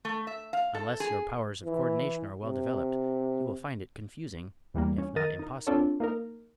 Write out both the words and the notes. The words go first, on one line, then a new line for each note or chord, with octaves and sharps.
Unless your powers of cooerdination are well developed you will find it confusing, if not impossible.
A3
E5
F5
A4
G#4
E3
C3
E2 E3 G3 A#3
C#4
D#3 A#4 D#5 A6 A#6 D#7
D#4 A#4
C4 D4 F4 A4 C#5
A#3 D#4 A#4